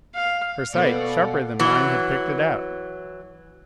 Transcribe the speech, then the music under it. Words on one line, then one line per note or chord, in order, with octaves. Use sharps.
Her sight, sharper than mine, had picked it out.
F5
B2 A#3 B3 A4 D5 F5 F#5
E3 F#3